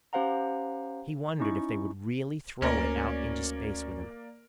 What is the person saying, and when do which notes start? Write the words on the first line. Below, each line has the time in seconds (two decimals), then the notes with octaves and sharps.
He wondered if they would really throw it out into space with him.
0.13 C#4 G4 C5 F5 F#5 A#5
1.40 C#4 D#4 E4 C#6
2.62 D2 A#3 C#4 A#4 D5 A#6